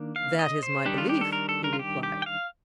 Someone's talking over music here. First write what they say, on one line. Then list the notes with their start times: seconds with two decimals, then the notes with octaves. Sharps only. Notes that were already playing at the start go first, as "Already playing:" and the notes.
That is my belief, he replied.
Already playing: D#3 A#3 D4
0.16 F5
0.39 D#5
0.63 C5
0.86 D#3 G3 D4 G4
0.98 F4
1.09 G4
1.21 A4
1.33 A#4
1.49 A4
1.64 A#4
1.73 F4
1.79 G4
2.03 G4
2.22 G5
2.26 F5